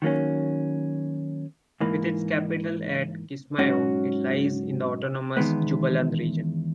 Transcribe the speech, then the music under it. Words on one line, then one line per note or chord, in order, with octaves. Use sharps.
With its capital at Kismayo, it lies in the autonomous Jubaland region.
D#3 F#3 A#3 C#4
G#2 E3 A#3
G#2 F#3 C#4 F#4
E2 D#3 G#3 B3